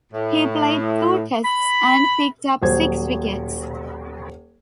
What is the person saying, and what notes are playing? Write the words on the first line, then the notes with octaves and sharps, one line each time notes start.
He played two tests and picked up six wickets.
A2
B5
D#1 F#3 C5 G#6